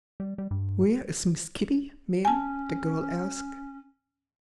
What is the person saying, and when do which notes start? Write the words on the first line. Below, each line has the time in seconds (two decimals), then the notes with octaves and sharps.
"Where is Miss Kitty, ma'am?" the girl asked.
0.20 G3
0.38 G3
0.51 G2
2.25 C#4 G#5 A5